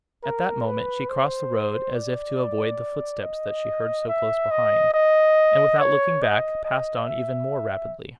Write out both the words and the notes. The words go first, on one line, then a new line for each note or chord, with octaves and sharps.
At that moment she crossed the road, as if to avoid the footsteps that she heard so close behind; and, without looking back, passed on even more rapidly.
A#4
B4
C5
D5
D#5
E5
D#5
D#5
C#5
D#5
D#5
E5